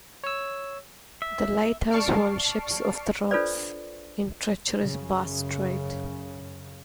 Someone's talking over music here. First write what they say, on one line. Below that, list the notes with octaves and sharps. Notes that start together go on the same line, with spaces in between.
The lighthouse warns ships of the rocks in treacherous Bass Strait.
C#5 E6
E5
D5 A5 C#6 F6 C7 D7
D4 F4 A4 B4 C5 D5
F#2 C#3